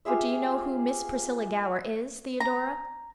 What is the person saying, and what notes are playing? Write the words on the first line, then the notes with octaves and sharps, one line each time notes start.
"But do you know who Miss Priscilla Gower is, Theodora?"
F4 G4 G#4 E5
A#5